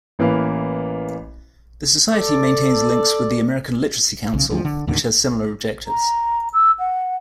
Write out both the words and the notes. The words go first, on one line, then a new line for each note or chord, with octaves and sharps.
The Society maintains links with the American Literacy Council, which has similar objectives.
A1 E3 A#3 B4 F5
A4 D5
B1 C#3
D2 F3
D3
D#2 A2 D3 D#3
A#5
E6
F#5